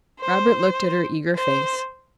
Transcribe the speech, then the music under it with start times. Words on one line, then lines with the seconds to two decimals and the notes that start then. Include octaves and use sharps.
Robert looked at her eager face.
0.20 C5
1.35 C5